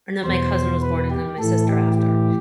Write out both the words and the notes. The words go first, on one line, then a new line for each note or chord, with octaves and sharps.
and then my cousin was born and then my sister after.
E2 B2 C5
B4
G4
A2 E3 A4
G4
G4